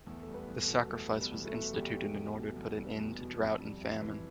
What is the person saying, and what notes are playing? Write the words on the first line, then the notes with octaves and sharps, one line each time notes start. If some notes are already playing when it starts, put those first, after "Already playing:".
The sacrifice was instituted in order to put an end to drought and famine.
E2 A3 A4
G3 A4
B3 B4
E2
A3 A4
B2
E2 A3 A4
G3
B3 B4
E2
A3 A4
B2
E2 G3 G4
G3
E2
B2
E2
G3
E2
B2
F2
G3
F2
E3